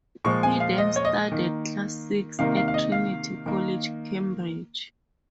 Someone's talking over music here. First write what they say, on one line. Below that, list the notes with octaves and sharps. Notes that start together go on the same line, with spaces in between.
He then studied Classics at Trinity College, Cambridge.
A#2 F3 G#3 C#6
G#5
F5
D#5
C#5
D#5
D#3 A#3
C3 D#3 A#3 F5
F5
F5
D#5
F5
D#3 A#3